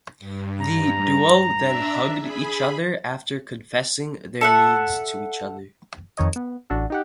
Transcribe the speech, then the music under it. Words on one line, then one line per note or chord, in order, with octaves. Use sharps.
The duo then hugged each other after confessing their needs to each other.
G2
A#5
D4 E5
G#4 B5
A4 E5 F#5
F2 D#3 C#5 D#5
B3
A1 D4 F#4 A4
D#4 G4 F#5